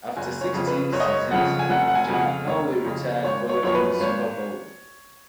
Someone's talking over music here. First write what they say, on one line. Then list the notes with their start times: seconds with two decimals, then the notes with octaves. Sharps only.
After sixteen seasons, John Elway retired following the Super Bowl.
0.17 F#1 G#5
0.41 C#5
0.54 F2 C#3 F3
0.67 B4
0.93 F#1 C#5
1.00 D#5
1.08 C#5
1.31 F2 C#3 F3 F#5
1.59 G#5
1.70 F1 F#5
1.88 F#5
1.95 G#5
2.09 F2 C#3 F#5
2.21 F5
2.47 F1 C#5
2.85 F2 C#3
3.24 G#1 C#5
3.49 C#5
3.63 F#2 F3 C#5
3.75 B4
4.00 G#1 C#5